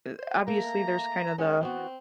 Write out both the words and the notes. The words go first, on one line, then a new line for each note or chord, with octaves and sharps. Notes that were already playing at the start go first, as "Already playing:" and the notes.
eh, obviously, there's kind of the
C5
A3 A#3 A#5
G#3 C#4 F#5 G#5
E3 B3 C4 F#4